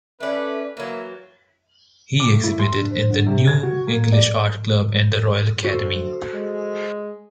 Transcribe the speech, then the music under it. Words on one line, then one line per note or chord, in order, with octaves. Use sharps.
He exhibited in the New English Art Club and the Royal Academy.
A3 C#4 B4 D5
E3 F#3 A#3 E4
D6
A3
E4
C6
D4
C5
D3
C3
G#6
F#4
A#3
D5
D2 F#4 A4 C5
G#3